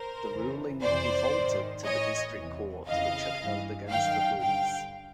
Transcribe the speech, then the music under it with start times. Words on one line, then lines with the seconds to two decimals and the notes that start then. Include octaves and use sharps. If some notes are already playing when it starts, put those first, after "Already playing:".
The ruling defaulted to the District Court, which had held against the Hoods.
Already playing: A#4 C5
0.30 F2 C#3 E3
0.81 F2 C3 E3 C5 D5
1.33 G#2 D#3
1.84 A2 E3 C#5 D#5
2.35 E2 C3 E3
2.86 F2 C#3 E3 D#5 F5
3.38 G2 E3
3.88 F#2 D#3 F5 G5
4.40 G2 D3 F5 G5